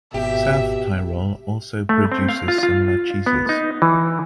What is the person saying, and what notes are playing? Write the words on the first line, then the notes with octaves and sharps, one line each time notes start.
South Tyrol also produces similar cheeses.
G#1 B2 G4 E5
A3
C4
F5
F4
F4
B3
D#4
E3